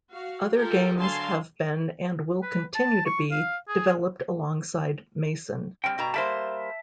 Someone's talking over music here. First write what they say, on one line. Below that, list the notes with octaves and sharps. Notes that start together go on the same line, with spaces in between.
Other games have been and will continue to be developed alongside "Mason".
F#4 F5
F4 G4 A4 A#4 G5
D3 F#3 F5 G#5 A5 C6
B4
A5
C#6
F5
G#4
G3 C4 G5
G2 B2 A#5
G3 A#3 C5 E5 A5